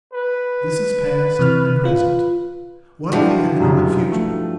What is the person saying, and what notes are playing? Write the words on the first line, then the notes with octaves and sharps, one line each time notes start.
This is past and present; what of the economic future?
B4
C3 E3 F6
F4
G2 F3 D4 E4 F#4
F1 F#2
A3